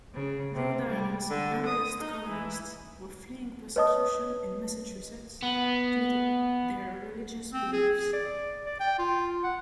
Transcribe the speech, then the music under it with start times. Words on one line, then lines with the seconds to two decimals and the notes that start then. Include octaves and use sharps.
Rhode Island's earliest colonists were fleeing persecution in Massachusetts due to their religious beliefs.
0.12 C#3
0.53 C3
0.88 G3
1.29 D3
1.65 D#6
1.99 D#4
2.28 E3
3.76 B4 C#5 D#5 A5 D#6
5.43 B3
7.53 C4
7.73 G#4
7.99 G#4
8.13 D5
8.66 D5
8.80 G5
8.99 F4
9.44 F#5